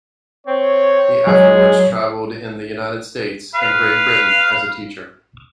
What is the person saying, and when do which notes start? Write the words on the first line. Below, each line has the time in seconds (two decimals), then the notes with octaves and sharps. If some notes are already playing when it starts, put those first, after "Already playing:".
He afterwards travelled in the United States and Great Britain as a teacher.
0.47 C4 C#5
1.27 F#3 G#3 G#4 C#5
3.55 B4 F5